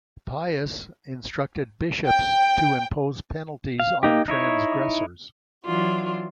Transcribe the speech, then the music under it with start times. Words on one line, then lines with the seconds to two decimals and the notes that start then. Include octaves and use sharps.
Pius instructed bishops to impose penalties on transgressors.
2.07 G5
3.80 F5
4.03 A#3 D#4 G4
4.28 D#4 E4 C#5
5.65 E3 F#3 D4 F4 F#4